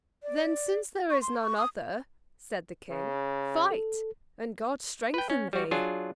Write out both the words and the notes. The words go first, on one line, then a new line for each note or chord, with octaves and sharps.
"Then since there is none other," said the King, "fight, and God strengthen thee."
D5
C#6
C6
C#6
D#6
C#3
A4
B4 G5
C#4
G3 F#4
F#3 D4 F4 G#4